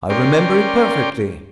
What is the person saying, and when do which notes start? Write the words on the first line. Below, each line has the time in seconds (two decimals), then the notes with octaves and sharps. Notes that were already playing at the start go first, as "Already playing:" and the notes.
"I remember it perfectly."
0.10 C#4 A#4 D5 G5 C6